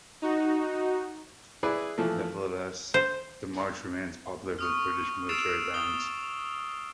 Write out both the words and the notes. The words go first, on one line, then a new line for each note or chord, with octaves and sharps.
Nevertheless, the march remains popular with British military bands.
D#4 F#4
E4 G#4 B4 D5
E3 F3 A3
C5
C#6 D#6 F6
E6 A6 C7 D7 E7 F7
D#6 G7